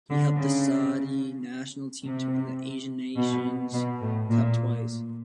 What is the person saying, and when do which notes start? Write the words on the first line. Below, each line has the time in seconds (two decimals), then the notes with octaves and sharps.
He helped the Saudi national team to win the Asian nations cup twice.
0.10 D3
0.37 C#3
2.06 C3
3.18 B2
3.74 B2
4.01 A2
4.30 A#2